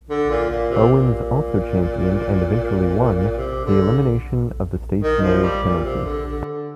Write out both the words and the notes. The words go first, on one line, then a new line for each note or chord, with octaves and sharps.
Owens also championed, and eventually won, the elimination of the state's marriage penalty.
D3
A#2
A#2
C3
A#2
C3
D3
D#3
F3
G3
A#2
C3
D3
D3
D3